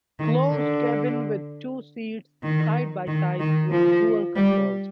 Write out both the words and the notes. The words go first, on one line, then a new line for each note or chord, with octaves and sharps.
Closed cabin with two seats side-by-side, with dual controls.
D#3
D3
D#3
D#3
D#3
F3
G3